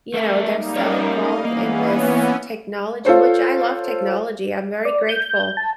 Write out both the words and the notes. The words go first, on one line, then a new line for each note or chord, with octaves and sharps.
you know, they're so, involved in this technology which I love technology, I'm very grateful
A3 A#4 E5
G3 A#3 D#4
C#4 A#4 C#5
D#5 F5
E3 A#3 B3 C#4
F4 A4 C5 C#5
D5
G6
A5